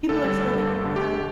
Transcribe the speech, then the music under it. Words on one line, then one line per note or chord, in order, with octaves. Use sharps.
people are still gonna have
D2 A4
D3 G3
D2
D3 G3
G1
G2 D3
G1 G4
D3